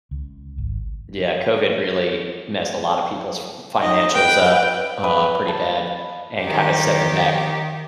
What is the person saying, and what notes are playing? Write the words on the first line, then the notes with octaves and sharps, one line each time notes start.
Yeah, COVID really messed a lot of people's f financials up, uh, pretty bad, and kinda set them back.
C#2
G#1
D#4 D#5
B4 G5
B4
A5
D#3 G4